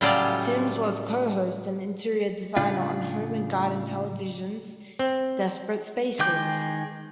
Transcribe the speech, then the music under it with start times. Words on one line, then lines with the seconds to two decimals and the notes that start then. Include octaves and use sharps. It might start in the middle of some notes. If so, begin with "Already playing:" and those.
Simms was a co-host and interior designer on Home and Garden Television's "Desperate Spaces".
0.01 A2 C#3 F#3 G3 F4 D5
2.57 A2 C#3 D4 F4
4.99 C4
6.19 D#3 G#3 G5 D6 G6